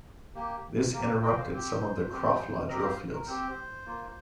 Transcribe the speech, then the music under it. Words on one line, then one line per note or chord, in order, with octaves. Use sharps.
This interrupted some of the Krafla drillfields.
A#3 G4
A#3 G4 A#4
C5
D#5 G5
C5 F5
C4 G4 C5
C4 G4
C4 G4 A#4 D#5
C5 F5
A#4
C4 G4 C5
A#3 F4